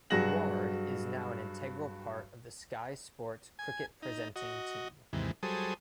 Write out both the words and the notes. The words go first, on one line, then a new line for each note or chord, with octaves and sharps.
Ward is now an integral part of the Sky Sports cricket presenting team.
G2 F#3 F#4 G#4 A#6 F#7
G#5
D#4
F#4 D#5
D#2 G#2 C3 E3
F#3 G3 G#4 A4 C5 D#6